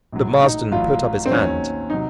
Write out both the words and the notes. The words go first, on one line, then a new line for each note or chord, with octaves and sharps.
But Marsden put up his hand.
A#1 A2 F#3
D#4
A1 A2 F#3 F4
C4
D#2 D#3 F#3 C#4
C3 F#3 D#4